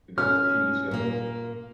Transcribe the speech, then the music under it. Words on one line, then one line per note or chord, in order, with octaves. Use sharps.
a good TV show,
C#4 F6
A#2 A#3